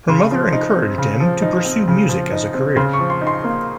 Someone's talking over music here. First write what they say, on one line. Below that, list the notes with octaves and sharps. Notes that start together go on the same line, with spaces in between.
Her mother encouraged him to pursue music as a career.
C#3 C6
F3
D#4
C4
C#3
F3
D#4
C4
C#3
F3
D#4
C4
C#3 C6
C#6
F3
C6
D#4
C6
A#3